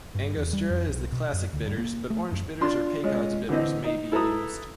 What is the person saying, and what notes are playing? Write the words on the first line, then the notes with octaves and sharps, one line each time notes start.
Angostura is the classic bitters, but orange bitters or Peychaud's Bitters may be used.
G2
E2
G3
F2
B1
B2
F#2
D2
G2
A#3
A3
F#2
D4 F4 C6
G#3 C#4 F4
D3 E3 C4 D#5
D#4
E4 A4 B4 A#5 D#6